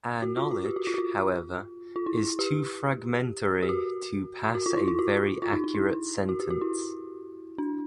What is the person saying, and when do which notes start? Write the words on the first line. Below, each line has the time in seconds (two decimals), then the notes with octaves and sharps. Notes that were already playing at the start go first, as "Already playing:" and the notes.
Our knowledge, however, is too fragmentary to pass a very accurate sentence.
0.22 F#4
0.37 F4
0.51 F#4
0.66 G4
0.76 F#4
0.87 F4
0.94 F#4
0.98 F4
1.96 F4
2.06 E4
2.17 E4
2.39 G4
3.63 G4
3.69 F#4
4.55 F#4
4.66 F4
4.77 E4
4.88 F4
4.99 F#4
5.42 F4
5.53 D#4
5.64 D#4
5.75 E4
6.29 F#4
6.40 G4
6.50 F#4
6.61 E4
7.58 D4